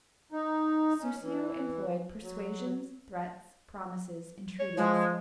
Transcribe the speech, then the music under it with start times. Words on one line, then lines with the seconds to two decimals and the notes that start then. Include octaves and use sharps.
Soussio employed persuasions, threats, promises, entreaties.
0.32 D#4
1.02 C#4
1.22 E3
2.23 F#3
4.59 C#5
4.77 F3 G#3